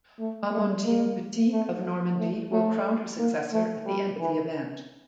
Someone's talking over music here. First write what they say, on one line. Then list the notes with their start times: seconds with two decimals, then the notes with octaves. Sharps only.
Amandine Petit of Normandy will crown her successor at the end of the event.
0.19 A3
0.52 A3
0.85 A#3
1.52 A3
2.19 A3
2.52 A3
3.19 A#3
3.53 A3
3.86 G3
4.20 E3